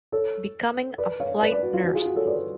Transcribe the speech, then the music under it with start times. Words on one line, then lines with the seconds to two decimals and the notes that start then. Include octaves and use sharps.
Becoming a flight nurse.
0.12 A4 C#5
0.98 B4 D5
1.20 C#5 F5
1.41 B4 D5
1.52 B4 D5
1.63 F#4
1.74 F4
1.84 F#4
1.95 F4 G#4
2.06 F#4
2.16 A4 C#5
2.27 B4 D5